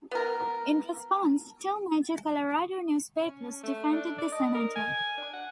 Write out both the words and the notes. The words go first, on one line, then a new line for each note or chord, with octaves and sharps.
In response, two major Colorado newspapers defended the Senator.
B3 A#4
C#4
A3
D4
D5
D#5
A#4
G#5
D4
F#5